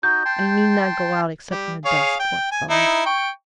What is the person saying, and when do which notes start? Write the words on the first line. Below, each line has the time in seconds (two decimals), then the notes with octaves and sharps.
'And he need not go out, except in the dusk, poor fellow!'
0.03 D#4 F#4 D#5 G6
0.25 G5 A5 C6
1.51 G3
1.85 G#4 C#5 F5
2.20 G5
2.52 G#5
2.70 D#4 E4
3.06 G5 C#6